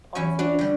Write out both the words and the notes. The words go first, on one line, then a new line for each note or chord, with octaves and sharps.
honestly, just
E2 C#4 E4
D4 F#4
D3 G3